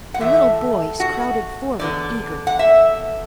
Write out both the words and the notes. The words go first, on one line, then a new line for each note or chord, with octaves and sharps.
The little boys crowded forward eagerly.
F#5
A2 E3 A3 E5
F#4
E2 D3 B3 D5
F#5
E5